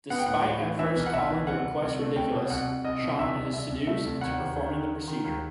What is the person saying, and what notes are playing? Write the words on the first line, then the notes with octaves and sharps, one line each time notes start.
Despite at first calling the request ridiculous, Sean is seduced into performing the procedure.
B3 F#5
G5
A2 F#5
A2
E3
E3 E5
B1
F#5
B1 E5
E3
C2 F#5
C2
C2
A3
C2 G5
B2
C2 F#5
C2
C2 D#5
B2
C2 E5
C2
C2 E5
C2
A3 E5
C2
D#2 F#5
D#2
D#2
D#3
D#3
D#3
D#2